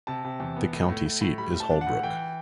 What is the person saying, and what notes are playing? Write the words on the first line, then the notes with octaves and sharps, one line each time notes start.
The county seat is Holbrook.
C3 A5
C3
E2
B3
A2
A2
A2
A2
G3 B5
A2
A5
D4
F#5
A2
E3 G5